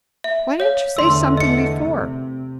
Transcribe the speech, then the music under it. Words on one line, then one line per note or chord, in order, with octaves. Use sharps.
Why didn't you say something before?
E5
C#5 F5
E2 D3 A3 C6 E6
D#5 C#7
C3